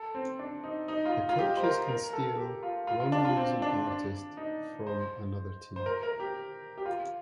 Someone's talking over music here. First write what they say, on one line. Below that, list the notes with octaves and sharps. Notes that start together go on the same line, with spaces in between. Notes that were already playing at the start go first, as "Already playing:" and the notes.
The coaches can each steal one losing artist from another team.
Already playing: A4
C4
D4
D#4
D#4
F4
F4
G4
C5
A#4
A#4
A4
G4
F4
F4
F4
D4
F4
C4
D4
D4
D#4
C5
C5
A#4
A#4
G4
G4
F4